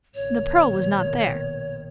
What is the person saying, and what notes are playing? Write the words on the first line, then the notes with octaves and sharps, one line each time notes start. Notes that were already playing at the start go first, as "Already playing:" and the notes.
The pearl was not there.
A#1 B2 D#3 C#5